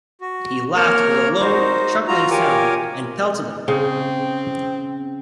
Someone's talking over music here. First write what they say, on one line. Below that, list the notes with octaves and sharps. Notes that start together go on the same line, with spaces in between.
He laughed with a low, chuckling sound, and pelted her.
F#4
A#3 A#4 C#5 F6
D#4 F#4 C5
F4 F#4 A#5
F4 G4 A#4 C#5 G#5 D6
C#3 C4